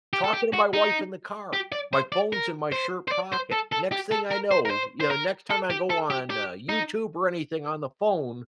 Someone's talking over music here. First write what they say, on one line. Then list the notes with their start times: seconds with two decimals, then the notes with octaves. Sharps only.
talking to my wife in the car, my phone's in my shirt pocket, next thing I know you know, next time I go on, uh, YouTube or anything on the phone
0.13 G4
0.24 A4
0.34 G4
0.54 F#4
0.73 D#4
1.53 G4
1.72 D5
1.93 C5
2.12 D5
2.33 A#4
2.72 C5
3.08 C5
3.11 D5
3.32 C5
3.52 A4
3.72 A4
3.91 G4
4.11 A4
4.31 A#4
4.51 C5
4.65 A#4
4.70 C5
5.01 C5
5.11 A#4
5.51 A4
5.70 G4
5.90 A4
6.10 G4
6.30 G4
6.69 D#4